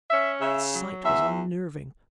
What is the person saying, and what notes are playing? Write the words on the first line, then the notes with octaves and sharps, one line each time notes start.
The sight was unnerving.
C#4 E5
C#3 E5
F#3
E2 E5